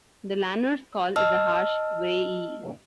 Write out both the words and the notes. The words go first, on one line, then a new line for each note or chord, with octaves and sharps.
The lanner's call is a harsh "wray-e".
D#5 A5 E6 F6